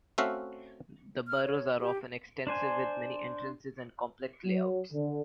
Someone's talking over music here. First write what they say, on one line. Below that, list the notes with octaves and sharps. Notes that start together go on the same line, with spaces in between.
The burrows are often extensive with many entrances and complex layouts.
A3 C4 C#4 F#4 E5 F5
F6
C#5
G4
D4 C5 G#5
F#3
D3